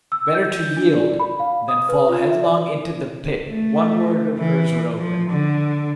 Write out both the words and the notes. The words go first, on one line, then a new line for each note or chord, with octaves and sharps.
Better to yield than fall headlong into the pit one word of hers would open.
E6
G6
D4
D5
B5
F5
D#6
B4
F4
E5
D5
A3
E3
F3
D3